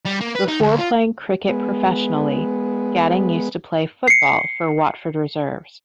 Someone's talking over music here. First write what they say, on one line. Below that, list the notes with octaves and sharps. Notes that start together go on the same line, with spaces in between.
Before playing cricket professionally, Gatting used to play football for Watford reserves.
G3
A#3
B4
D#4
D2
F4
G#3 B3
C7 C#7